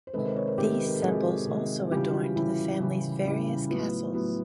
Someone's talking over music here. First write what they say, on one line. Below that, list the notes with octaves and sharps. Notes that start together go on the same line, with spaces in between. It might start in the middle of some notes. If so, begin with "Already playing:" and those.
These symbols also adorned the family's various castles.
C5
C3 D#3 G#3 A4 B4
A#4 C5
B4 C#5
A#4 C5
C3 D#3 G#3 G4 A4
B4
A#4
A4
C3 D#3 G#3 F#4 G#4
C3 D#3 G#3
C#3 E3 G3 F4 G4
F#4
F4
C#3 E3 G3 E4
C#3 E3 G3
C#3 E3 G3
A2 F#3 B3 F4
A2 F#3 B3